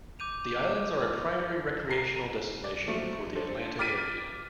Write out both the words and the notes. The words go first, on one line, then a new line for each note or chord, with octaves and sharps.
The islands are a primary recreational destination for the Atlanta area.
D6 G6 D#7 F7
A#5 C7
D5
F3 F#3 A3
D4 A4 C5
D6 F6 A6 B6 D7 D#7